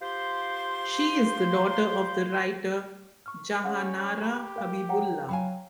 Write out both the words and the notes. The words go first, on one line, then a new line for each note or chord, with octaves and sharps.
She is the daughter of the writer Jahanara Habibullah.
F4 G4 C5 C6
C#6 E6 F6
C#4 G#4 F5 F#5
G4 A#5 B5 C#6
A#4 F5
C#5 F#5 G5 A#5
F#3 F5 G#5 B5